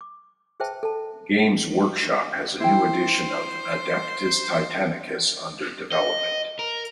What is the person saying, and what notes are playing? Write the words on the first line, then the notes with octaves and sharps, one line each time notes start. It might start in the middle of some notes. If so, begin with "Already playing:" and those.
Games Workshop has a new edition of "Adeptus Titanicus" under development.
D6
G#4 B4 C5 E5 G5 A5
A4 A5
E4 C5 G5
D#5
A#4